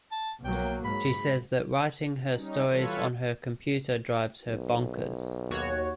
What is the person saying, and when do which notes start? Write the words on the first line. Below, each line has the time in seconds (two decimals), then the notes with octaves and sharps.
She says that writing her stories on her computer, drives her 'bonkers'.
0.12 A5
0.44 B1 F#3 A#3 G5
0.85 G#2 B5
2.34 G3 C#4 D#4
2.70 E3 G3 F4 A4 B4 C#5
4.48 B1
5.50 D#2 F#4 C#5